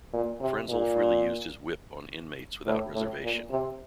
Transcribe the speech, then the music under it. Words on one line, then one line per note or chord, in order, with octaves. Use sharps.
Frenzel freely used his whip on inmates without reservation.
A#2
C3
A#2
A2
A2
A#2
C3